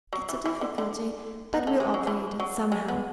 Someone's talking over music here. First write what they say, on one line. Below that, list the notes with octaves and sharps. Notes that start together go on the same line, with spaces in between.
It's a difficulty. But we'll obviate it--somehow.
F#3
E3
E3
D3
D3
B3
A3
G#3
F#3
E3
F#3
G#3
B3